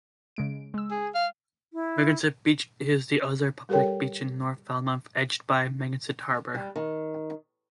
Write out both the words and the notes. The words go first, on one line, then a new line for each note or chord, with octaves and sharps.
Megansett Beach is the other public beach in North Falmouth, edged by Megansett Harbor.
C#3 G#3 D7
G#3 E6
G#4
F5
E4
G3 G4 A4 A#4 C#5 G5
G3
D#3